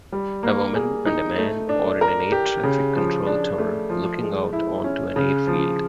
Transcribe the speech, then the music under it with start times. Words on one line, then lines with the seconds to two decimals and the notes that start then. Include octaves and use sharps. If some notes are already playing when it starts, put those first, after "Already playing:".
A woman and a man are in an airtraffic control tower looking out onto an airfield.
0.12 G3
0.43 A#3
0.75 G#4
1.06 D#4
1.38 A3
1.69 D4
2.01 A#4
2.32 G4
2.64 C#3
2.96 F3
3.27 D4
3.58 A3
3.90 F3
4.21 G#3
4.53 E4
4.84 C#4
5.16 C#3
5.47 F3